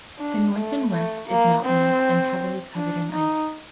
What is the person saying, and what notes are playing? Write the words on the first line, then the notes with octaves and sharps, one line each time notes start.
The north and west is mountainous and heavily covered in ice.
D4
A3
A3
A#3
C4
D4
D#4